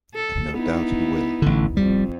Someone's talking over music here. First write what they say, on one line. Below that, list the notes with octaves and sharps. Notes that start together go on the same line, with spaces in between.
And no doubt he will.
A4
B3 D#4 E4
A1 D3
F2 G3